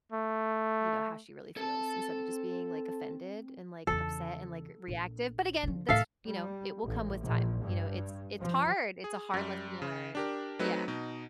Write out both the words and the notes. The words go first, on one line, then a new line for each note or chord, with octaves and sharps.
you know, how she really feels instead of just being, like, offended and, like, upset and, like, r reactive, but, again, that's you know, it will come with time, you know, it's it's hard, it's a hard lesson to learn, yeah.
A3
C4 A4 A5
E2 C#3 A4
A#1
D3 F3
A2 D#3 A4 E5 F5
G3
A1
A#1
G2
F3
G#4
F#2 G3
C#3
D4 G4 A#4
F#3 A3 C4 D#4 B4
B2 D#4